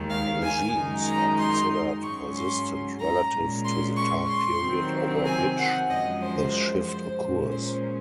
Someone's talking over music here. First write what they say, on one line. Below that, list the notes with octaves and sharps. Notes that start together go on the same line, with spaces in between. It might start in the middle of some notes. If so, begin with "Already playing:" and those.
Regimes are considered persistent relative to the time period over which the shift occurs.
Already playing: D#2 D#3 G#3
F5
G#5
F#2 D#3 G#3 D#4
A#5
C6
G#2 F#3 C#4 C#6
C6
A#5
A#2 G#3 C#4
C6
C#6
C6
C3 D#3 F#3 C4
G#5
F#5
F#2 F3 G#3 D#5
C5
C5
A#2 G#3 C#4
C5